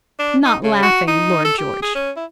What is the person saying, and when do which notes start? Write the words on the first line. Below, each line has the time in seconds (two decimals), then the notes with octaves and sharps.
"Not laughing, Lord George."
0.19 D4
0.45 D#4
0.63 C#3
0.83 F#4
1.08 D#4
1.45 A4
1.58 G4
1.83 G#4
1.95 C#4
2.17 E4